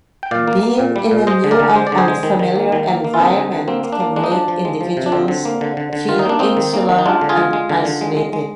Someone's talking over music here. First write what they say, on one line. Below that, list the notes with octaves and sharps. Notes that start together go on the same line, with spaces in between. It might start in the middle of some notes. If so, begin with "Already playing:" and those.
Being in a new and unfamiliar environment can make individuals feel insular and isolated.
G5
A#2 D5 F5
A#3
A#3
A#2
G3
A#2
G#3 C5 D#5
D3
A#4 D5
D3
G#3 C5
D5
D3
G#4 C5
G#3
D#3
D#3
A#3
D#3
A#3
A#3
F4
D3 C4 D#4
D3
D3
A#3 C4
A#3
D4
A#3
G#3 D4
D#4
F3 D4
F3
G#3
F3
C3
D4
D3 C4
D3
A#3
D3
D3
D3
D#3 F4
D#4
A#3 D4
A#3 C4 D#4
D#3
A#3
D#3
D#4
G#3 D4 F4
D3
F4 G#4
G#3
G#3
D3
D3
G#3
G#3
G#3